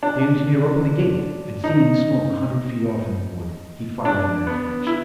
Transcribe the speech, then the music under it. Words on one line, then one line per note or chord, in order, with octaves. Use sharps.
The engineer opened the gate, and seeing smoke a hundred feet off in the wood, he fired in that direction.
D4
D#4
D4
B3
E4